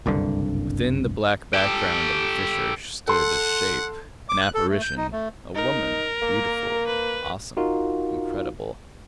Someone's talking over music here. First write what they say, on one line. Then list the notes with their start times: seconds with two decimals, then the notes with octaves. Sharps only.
Within the black background of the fissure stood a shape, an apparition, a woman--beautiful, awesome, incredible!
0.06 F#1 C2 G2 D3
1.54 G4 A4
3.08 A4 F#5 C6
4.29 D6
4.41 F#6
4.54 A4
4.69 A3
4.82 G6
4.97 D#4
5.12 A3
5.56 D#4 A#4
6.22 A#3
6.87 B4
7.57 D#4 F4 F#4 A#4 F5